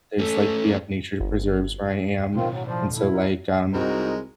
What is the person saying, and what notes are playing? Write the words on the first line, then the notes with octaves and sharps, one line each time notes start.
there's, like we have nature preserves where I am, and so, like, um,
A3 C#4 A4
G1
B1 A2 D#3 C4 F4
F#3
F3 C5 D5
E4 A4
D#4 A#4
C2 G#3 C4 D#4 F#4 A#4